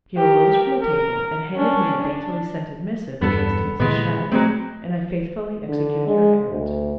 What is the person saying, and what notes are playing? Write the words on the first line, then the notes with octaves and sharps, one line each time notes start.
She arose from the table and handed me a daintily scented missive addressed to Mrs. Shadd, and I faithfully executed her errand.
G4 A#4
A#4
C#4 D4
D4
E2 G2 B3 A4
A#2 D3 E3 G#3 B3
F#3 G#3 A3 C4
D3
G#3
D2